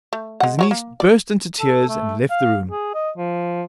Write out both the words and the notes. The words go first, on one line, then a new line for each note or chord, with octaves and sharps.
His niece burst into tears and left the room.
A3
G#3 F#5
F#3 F4 C#5
A#3
D5
A4
A3
F5
G#4
D#5
F3